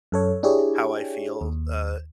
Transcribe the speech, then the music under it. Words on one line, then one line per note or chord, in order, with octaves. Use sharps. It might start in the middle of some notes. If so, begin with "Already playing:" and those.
how I feel. Uh,
F#2 A4 C#5
D4 E4 G4 G#4 C#5
D#2